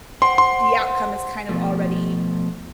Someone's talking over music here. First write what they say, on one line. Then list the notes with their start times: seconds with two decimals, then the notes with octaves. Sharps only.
the outcome is kind of already
0.22 C5 F#5 G5 C6
0.38 C6
1.49 B2 F3 A3